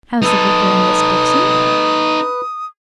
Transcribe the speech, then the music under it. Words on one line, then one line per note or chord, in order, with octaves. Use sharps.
How's the Vicar and Miss Dixon?
D#4 A4 B4 D#6